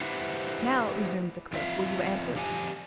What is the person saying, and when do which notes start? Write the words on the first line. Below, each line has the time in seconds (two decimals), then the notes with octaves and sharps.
"Now," resumed the clerk, "will you answer?"
0.01 E4 G4 B4 C5 E5 F#5
1.53 F2 F4 D5 E5 F5
2.36 F3 G4 D5 F5 G#5